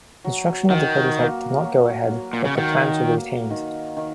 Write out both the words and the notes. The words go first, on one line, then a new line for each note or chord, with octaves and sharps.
Construction of the prototype did not go ahead, but the plans were retained.
F#3
D#3 F#4
A#3
F#3
F#3
A#2
C#3
D#3 F#4
A#3
D#3
D#3